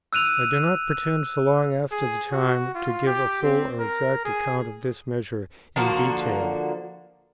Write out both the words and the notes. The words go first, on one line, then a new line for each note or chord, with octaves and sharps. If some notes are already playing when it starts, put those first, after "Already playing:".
I do not pretend, so long after the time, to give a full or exact account of this measure in detail.
E6 F#6 D#7 F7
G#4
F#4
F4
G4
C4
A#4
G#4
D3 F3 A#3 F#4